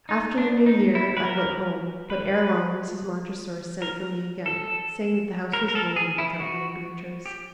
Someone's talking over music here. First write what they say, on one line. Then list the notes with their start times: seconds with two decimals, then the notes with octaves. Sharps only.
After the New Year I went home, but ere long Mrs. Montressor sent for me again, saying that the house was lonely without little Beatrice.
0.09 D#4
0.38 D4
0.66 D#4
0.95 E4
1.17 B4
1.24 A#4
2.10 B4
3.82 A#4
4.46 A4
5.53 A#4
5.68 A#4
5.75 A4
5.96 G#4
6.18 E4
6.40 F#4
7.26 G4